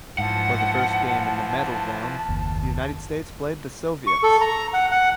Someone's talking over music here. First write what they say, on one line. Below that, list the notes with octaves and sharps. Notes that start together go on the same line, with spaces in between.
For the first game in the medal round, the United States played the Soviets.
G#2 E3 F3 F#5 A5
F#1 D#2
C#6
A4
A#5
F#5
F#5